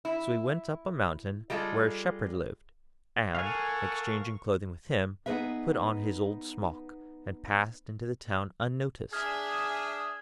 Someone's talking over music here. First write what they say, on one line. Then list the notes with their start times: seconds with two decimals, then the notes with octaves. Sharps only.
So he went up a mountain, where a Shepherd lived, and, exchanging clothing with him, put on his old smock, and passed into the town unnoticed.
0.05 E4
1.50 G3 G#3 F4 A4
3.35 A4 A#4 F5 F#5 G#5 C#6
5.26 B3 D#4 G#4 B4 E5
9.13 D4 G#4 E5 G#5 D#6 F6 G#6